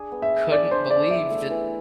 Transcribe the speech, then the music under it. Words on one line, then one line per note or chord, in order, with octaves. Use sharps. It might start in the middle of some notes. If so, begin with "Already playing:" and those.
couldn't believe that
Already playing: D4 G#4
B3
E5
G#4
D4 D5
D4 C5
D4 D5
E4 E5
A3
E3